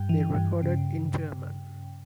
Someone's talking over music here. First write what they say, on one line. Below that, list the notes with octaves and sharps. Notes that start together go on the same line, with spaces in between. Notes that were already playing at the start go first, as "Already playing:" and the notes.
They recorded in German.
Already playing: G2 G5
E3
G2
C#3